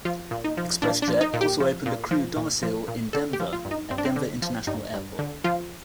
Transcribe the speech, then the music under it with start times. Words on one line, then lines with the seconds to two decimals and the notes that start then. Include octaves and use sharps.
ExpressJet also opened a crew domicile in Denver, at Denver International Airport.
0.05 F3 F4
0.31 A#2
0.44 D#4
0.57 F3
0.82 A#2 D4
1.02 D4
1.08 F3
1.21 D#4
1.34 A#2
1.41 G4
1.60 F3
1.86 A#2
2.11 F3
2.36 A#2
2.63 F3
2.88 A#2
3.13 D3 A4
3.33 G4
3.40 F3
3.53 F4
3.65 G2
3.71 D#4
3.91 G2 C4
3.98 D4
4.05 C4
4.16 D3
4.42 F3
4.67 G2 D#4
4.94 G2
5.19 D3
5.44 F3 F4